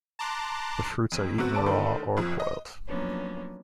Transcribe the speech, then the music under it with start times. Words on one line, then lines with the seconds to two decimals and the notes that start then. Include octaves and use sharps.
The fruits are eaten raw or boiled.
0.19 A5 A#5 C6 D6 F#6
1.12 F2
1.38 C3 B3 F#4
1.55 D3 D5 A5 D7
1.66 D3 D#3 A3
2.17 F#1 F2 F3
2.40 D#5
2.88 F3 F#3 A#3 B3 C#4 D4